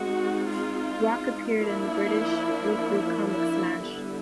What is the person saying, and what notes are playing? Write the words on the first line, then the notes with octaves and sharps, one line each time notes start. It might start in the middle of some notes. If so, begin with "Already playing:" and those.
Rock appeared in the British weekly comic Smash!
Already playing: G#3 C4 D#4 F#4
F4
F3 A#3 D4 E4
E4
D3 G3 B3 E4